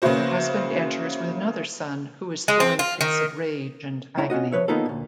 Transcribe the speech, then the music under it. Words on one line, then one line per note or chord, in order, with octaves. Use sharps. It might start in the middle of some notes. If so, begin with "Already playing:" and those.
Her husband enters with another son who is throwing fits of rage and agony.
C#3 A#3 B3 E4 F#4 C5
G#3
C4
F4
D#3
C2 C#3 E4 A#5
C#4 F4 F#4 D#5
F3 B4 C#5 E5
D#3 A#3 B3 D#4 F4 A4
D2 A#2